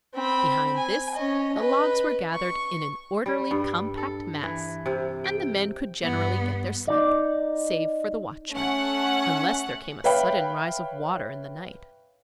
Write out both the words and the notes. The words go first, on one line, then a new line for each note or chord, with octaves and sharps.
Behind this the logs were gathered in an orderly, compact mass and the men could generally get their sleep, save for the watchman; unless there came a sudden rise of water in the night.
C4 B5
G#5
C#4 D#5
B4 D#5
C#6
G3
G2
A4
E3
C3
G5
G2 B3
D#4 D5
A3 C#4 F#5
B4 C#5 E5 F5 G5 B5